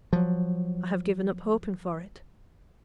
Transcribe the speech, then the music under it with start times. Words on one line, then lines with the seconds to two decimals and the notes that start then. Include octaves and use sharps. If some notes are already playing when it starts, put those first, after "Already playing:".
I have given up hoping for it.
0.13 F3 F#3